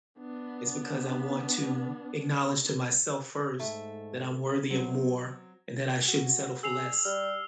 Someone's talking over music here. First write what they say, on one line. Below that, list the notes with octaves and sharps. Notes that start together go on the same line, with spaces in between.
is because I want to acknowledge to myself first, that I'm worthy of more and that I shouldn't settle for less
B3 D4
G#2 A3
F#3 B3 C4
F#4
G#4 E6 C7 F7
G3 F6